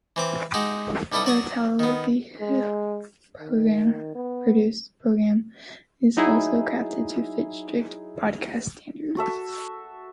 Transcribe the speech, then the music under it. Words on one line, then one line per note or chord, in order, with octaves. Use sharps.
The Televisa produced programming is also crafted to fit strict broadcast standards.
E3 C4 D6
G#3 D#4 F#4 G4
B1 G3 E4 G4 A4 D#6
F#3 D5 C#6 D#6
D#3 B3
G#3
D#3
B3
F#3 D#4 E4 G#4
F#4 A4 E5